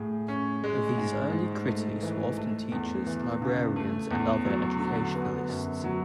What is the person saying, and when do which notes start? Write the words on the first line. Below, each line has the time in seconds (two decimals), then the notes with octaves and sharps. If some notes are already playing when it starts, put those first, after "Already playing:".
These early critics were often teachers, librarians and other educationalists.
Already playing: A2 G#4
0.28 C#4
0.64 G#3
0.98 G#2
1.32 G#2
1.67 A3
2.03 E3
2.37 A3
2.72 E2
3.07 E3
3.42 C#3
3.76 A3
4.11 E2
4.45 F#3
4.80 D3
5.15 B3
5.50 F#2
5.84 F#3